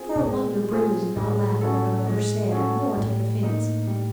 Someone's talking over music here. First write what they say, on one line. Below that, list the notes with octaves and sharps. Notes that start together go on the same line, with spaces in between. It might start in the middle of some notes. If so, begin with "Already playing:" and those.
For a wonder Brenda did not laugh at what her mother said, nor take offence.
Already playing: C4 F4 G#4
B2
A#2 G#3
C4 F4 G#4
A2 G#3
C#4 F#4 A4
G#3
C#4 F#4 A4
A2 G3
A#3 D#4
G3